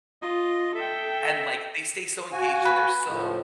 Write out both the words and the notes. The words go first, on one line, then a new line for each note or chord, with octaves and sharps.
and, like, they stay so, engaged and they're so,
F4 D#5
A4 E5 G5
F#4 F5 G#5
B4
C#2 A2 F3